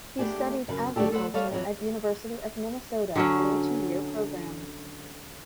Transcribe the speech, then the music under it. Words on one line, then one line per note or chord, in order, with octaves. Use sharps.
He studied agriculture at University of Minnesota in a two-year program.
A3 B3 D4 G4 G#4
F#2 C#3 A#4 B4
D3 A3 D4 F#4 G4 A4
A4 B4 C5 F#5
G3 A4 C#5 F5
F2 E3 F#3
D3 F#3 C#4